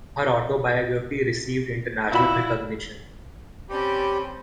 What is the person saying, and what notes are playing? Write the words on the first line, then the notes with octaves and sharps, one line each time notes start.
Her autobiography received international recognition.
A#2 E4 F#4 B5
C4 C#4 G4 D5 A5 B5